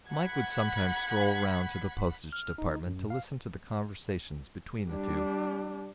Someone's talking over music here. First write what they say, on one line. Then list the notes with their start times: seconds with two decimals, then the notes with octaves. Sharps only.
Mike would sometimes stroll round to the Postage Department to listen to the conversations between the two.
0.11 F#5 B5 G#6 B6
2.32 F6
2.58 D#4
2.87 F#2
3.10 F5
4.89 G3 D4